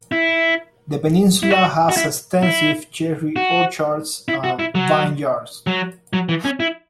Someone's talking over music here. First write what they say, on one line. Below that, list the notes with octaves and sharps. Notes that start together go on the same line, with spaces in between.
The peninsula has extensive cherry orchards and vineyards.
E4
E4
F#4
F#4
E4
E4
F#4
E4
F#4
E4
F#3
F#3
F#3
E3
C#4
E4